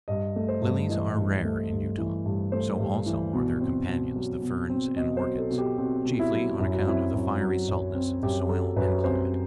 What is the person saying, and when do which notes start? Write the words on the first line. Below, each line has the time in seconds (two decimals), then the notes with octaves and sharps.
Lilies are rare in Utah; so also are their companions the ferns and orchids, chiefly on account of the fiery saltness of the soil and climate.
0.08 G2 D#5
0.36 A3
0.48 C5
0.62 G2
0.89 E3 D#5
1.17 G2
1.45 A3
1.72 G2
1.98 E3
2.26 G2
2.52 A3 C5
2.79 G2
3.06 E3
3.33 B2
3.61 C4
3.88 B2
4.16 F#3
4.42 B2
4.70 C4
4.96 B2 D#5
5.17 C5
5.24 F#3
5.38 A4
5.50 B2
5.58 G4
5.78 C4 F#4
6.05 B2
6.19 E4
6.32 F#3
6.59 F#2 E4
6.74 F#4
6.86 C4 E4
7.14 F#2
7.41 F#3
7.68 F#2
7.95 C4
8.23 F#2 G4
8.40 G4
8.49 F#3 A4
8.76 F#2 B4
9.03 C4 C5